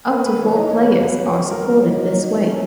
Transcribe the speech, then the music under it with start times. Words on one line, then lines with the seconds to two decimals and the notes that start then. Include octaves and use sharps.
Up to four players are supported this way.
0.09 A#3 B4
0.25 A#3 B4
0.40 E3 C#5
0.56 D#4 D#5
0.71 A#3 C#5
0.87 A#3 B4
1.03 F#3
1.19 C#4
1.35 A#3
1.51 B3 A#4
1.66 F#3 A#4
1.81 D#4
1.97 A#3 F#4
2.13 D#4
2.29 A#3
2.44 C#4